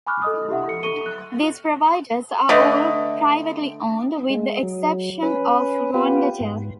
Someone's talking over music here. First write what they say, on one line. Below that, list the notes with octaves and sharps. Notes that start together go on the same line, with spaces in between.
These providers are all privately owned, with the exception of Rwandatel.
G#5 B5 C#6 D6 F6 F#6
A4 D#5 D#6
E4 G4 E5 F#5
A4 C#7
A4 C#6 C#7 D#7 G7
F#6
D3 A3 B4 D#5
G#3
F#3
C#4 B4
B3 F4 G4 B4
G#2